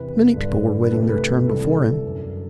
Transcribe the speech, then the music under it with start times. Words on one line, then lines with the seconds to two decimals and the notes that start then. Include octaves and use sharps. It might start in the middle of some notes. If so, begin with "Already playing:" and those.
Many people were waiting their turn before him.
Already playing: E2 C3 E3 B4
0.34 G2 D3
0.83 B4
0.90 D2 C3 E3 A4
1.09 B4
1.46 C2 C3 E3 A4
2.03 F#2 D3